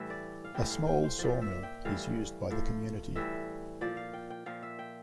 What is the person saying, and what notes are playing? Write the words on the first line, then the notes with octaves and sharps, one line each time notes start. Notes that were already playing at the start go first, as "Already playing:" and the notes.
A small sawmill is used by the community.
Already playing: A2 E3 G3 E5
D5
F5
A2 E3 G3 G5
F5
G5
C5
A#2 F3 D5
E5
G5
A2 E3 G3 F5
A2 F3
A2 E3 G3 E5
A#2 F3 D5
F5
G5
G5
A#2 F3 F5
E5
G5